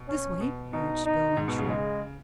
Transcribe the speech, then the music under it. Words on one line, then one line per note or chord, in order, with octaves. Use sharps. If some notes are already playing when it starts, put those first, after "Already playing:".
"This way," urged Bill Renshaw.
Already playing: B2
C#4
B2
B2 D#4
D#4
G#2
B2
C#3
G#3